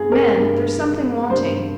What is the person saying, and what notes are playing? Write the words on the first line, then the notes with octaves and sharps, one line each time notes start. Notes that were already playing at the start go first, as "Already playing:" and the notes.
'Man, there's something wanting.
Already playing: G2 G#4
A#4
G2 G3
G2 G3 C5